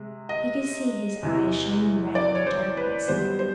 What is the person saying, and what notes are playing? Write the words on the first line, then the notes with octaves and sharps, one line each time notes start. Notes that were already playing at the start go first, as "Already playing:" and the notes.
He could see his eyes shining red in the darkness.
Already playing: C3 G#3
D#5
E2 C3 E3
D5
C#5
C5
B4
F#2 D#3 G3 B3 C5
C5